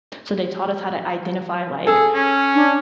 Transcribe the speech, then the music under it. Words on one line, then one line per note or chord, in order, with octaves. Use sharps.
So they taught us how to identify, like,
G#4 A4
C#4
D4